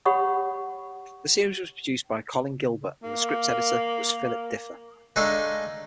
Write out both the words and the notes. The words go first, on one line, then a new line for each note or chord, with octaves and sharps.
The series was produced by Colin Gilbert and the script editor was Philip Differ.
G4 C#5 F#5 B5 C#6 D#6
A#3
G#3 A3 D4 D#4 A4 F5